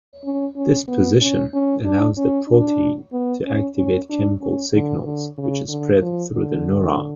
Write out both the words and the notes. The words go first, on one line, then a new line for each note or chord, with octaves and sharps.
This position allows the protein to activate chemical signals which spread through the neurone.
C#4
C#4
B3
C#4
C#4
D4
C#4
D4
B3
C#4
C#4
D4
C#4
D3
D3
C#3
D3
F3
D3